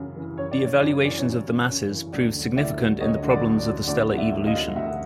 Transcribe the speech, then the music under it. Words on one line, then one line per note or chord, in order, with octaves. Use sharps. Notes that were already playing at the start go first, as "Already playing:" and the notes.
The evaluations of the masses proved significant in the problems of the stellar evolution.
Already playing: F#2 C#3 E3
E3
F#2 C#5
D5
C#3
C#5
F#2 D5
C#5
E3 D5
C#5
F#2
C#3
F#2
E3
D2 D5
D3
D2 D5 E5
F#3
D2 C#5 D#5
D3
D5
D2
D5
F#3
D2 D5
D3
D5 E5
D2
D#5 F5
F#3
D2 E5 F#5